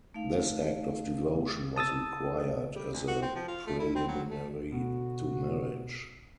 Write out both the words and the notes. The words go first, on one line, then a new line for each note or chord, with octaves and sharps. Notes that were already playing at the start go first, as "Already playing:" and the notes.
This act of devotion was required as a preliminary to marriage.
A3 D#4 F5
A5 D#6 E6 A6
G3
D2
F#4
C4
F3
F4
A3
E4
C4
F#3
A3
D2 B2 F#4